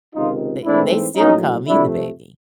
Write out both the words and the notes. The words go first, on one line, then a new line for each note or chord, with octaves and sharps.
they they still call me the baby.
C#2 C3 D#3 D#4 F4
G#2 E3 A3 C4 D4 E4
A#1 A2 F#3 C#4 D#4
F2 C3 F3 A3 D4 E4